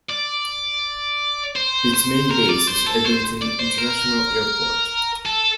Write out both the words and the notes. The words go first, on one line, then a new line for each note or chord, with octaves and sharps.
Its main base is Edmonton International Airport.
D5
C5
C5
A#4
D5
C5
A4
C5
D5
C5
A#4
A4